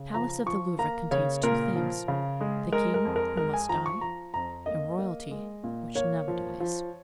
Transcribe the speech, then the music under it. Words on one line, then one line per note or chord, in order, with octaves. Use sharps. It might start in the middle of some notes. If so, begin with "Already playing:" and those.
The Palace of the Louvre contains two things--the king, who must die, and royalty, which never dies.
Already playing: C#3
F3 A#5
F3 C#6
A#3 A#5
C#3 C#5
A#2 A#4
F3
C#3
G#3
G#3 A#4
A#4
F2
A#4
G#3 A#4
G#5
F3 A#5
C#6
F3 A#5
F2 A#5
A#3 D#5
A#3
G#3
A#2
A#3 C#5
F3
F3